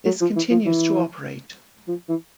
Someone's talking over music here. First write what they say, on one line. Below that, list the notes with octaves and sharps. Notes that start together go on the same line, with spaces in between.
This continues to operate.
F#3
F3
E3
F3
E3
F3
E3